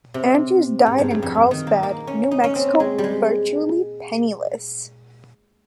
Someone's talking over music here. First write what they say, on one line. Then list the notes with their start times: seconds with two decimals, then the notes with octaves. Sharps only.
Andrews died in Carlsbad, New Mexico virtually penniless.
0.14 C3
0.86 G#2
0.98 G2
1.11 G2
1.22 F2
1.35 G2
1.51 D#3
1.67 A#3
1.83 A#3
2.07 C#4
2.31 D#4
2.44 C#4
2.55 C4
2.80 G#3
2.98 G3
3.04 G#3